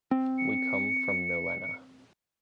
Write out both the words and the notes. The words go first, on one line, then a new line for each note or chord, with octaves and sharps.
We come from Millena.
C4
C#7